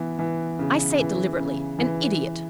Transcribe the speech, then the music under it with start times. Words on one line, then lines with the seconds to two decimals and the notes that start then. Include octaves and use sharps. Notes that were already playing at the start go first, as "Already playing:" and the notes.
I say it deliberately--an idiot!
Already playing: E3 B3
0.19 E3
0.59 C#3
0.99 E3
1.39 C#3
1.79 E3